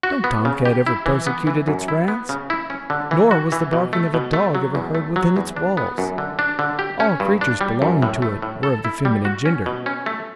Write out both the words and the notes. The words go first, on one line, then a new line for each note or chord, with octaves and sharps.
No tom-cat ever persecuted its rats, nor was the barking of a dog ever heard within its walls; all creatures belonging to it were of the feminine gender.
F#4
B3
C#3
G4
E4
E3
B3
E3
F#2
E4
B3
C#3
E4
C#4
D3
E3
F#4
E3
B2
A3
B2
A3
F#3
E2
A3
F#3
E2
D4
B3
F#2
D3
D4
D3
G4
C#4
G2
D4
G3
F#2
A2
A3
A2
A4
E4
G3
F#4
C#4
B2
C#4
A3